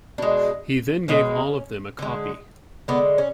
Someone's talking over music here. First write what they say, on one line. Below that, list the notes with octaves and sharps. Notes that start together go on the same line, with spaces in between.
He then gave all of them a copy.
B2 G#3 D4
B2 G#3 C#4
D3 G#3
D3 G#3 B3
C#4